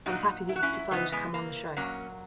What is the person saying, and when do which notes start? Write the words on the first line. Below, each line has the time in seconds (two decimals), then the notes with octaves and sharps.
I was happy that you decided to come on the show.
0.06 A#2 F#3 D#4 F#4
0.49 E4
0.56 F#4
0.63 C#4 E4
0.91 C#3 E3 B3 D#4
1.12 G#3 B3
1.34 A#3
1.77 A#2 F#3 A#3 C#4